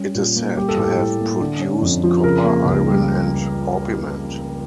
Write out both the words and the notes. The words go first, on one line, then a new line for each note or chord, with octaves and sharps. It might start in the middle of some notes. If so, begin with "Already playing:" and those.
It is said to have produced copper, iron and orpiment.
Already playing: G3 C#4
A#2
A#3
G3 G4
A4
A2 G4
A2
A#3
D3
C#4
F2
F3
C#3 A#4
A#3
C#2
G3